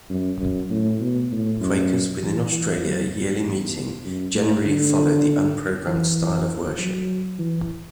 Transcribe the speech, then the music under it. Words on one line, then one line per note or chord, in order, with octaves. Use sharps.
Quakers within Australia Yearly Meeting generally follow the unprogrammed style of worship.
F#2
F#2
A2
B2
A2
F#2
E3
E3
F#3
E2
F#2
A2
D3
E3
F#3
E3